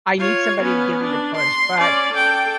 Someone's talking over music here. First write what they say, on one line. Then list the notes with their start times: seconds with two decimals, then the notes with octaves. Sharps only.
I need somebody to give me the push, but
0.18 F4 C#5
0.61 B3 C#4
1.03 D4
1.37 C6
1.78 C#4 D5
2.13 A4 G5